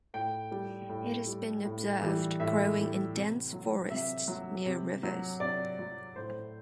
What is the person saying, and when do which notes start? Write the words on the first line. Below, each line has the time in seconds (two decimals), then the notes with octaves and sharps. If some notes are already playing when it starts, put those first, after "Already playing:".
It has been observed growing in dense forests near rivers.
0.14 A2 G5
0.51 G3
0.89 A2
1.27 G3
1.65 A2
2.02 E3 G3
2.40 A2 E5
2.77 E3 G3
3.15 C3
3.53 F#3
3.90 C3 E5
4.28 F#3
4.65 C3
5.03 F#3
5.40 C3 D5
5.79 F#3
6.16 A2 C5